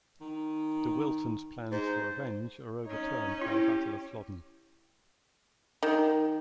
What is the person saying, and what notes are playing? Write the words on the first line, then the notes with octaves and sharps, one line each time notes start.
De Wilton's plans for revenge are overturned by the Battle of Flodden.
D#3
G#2 C5
C#4 D#4 C#5
E4 G4
D#3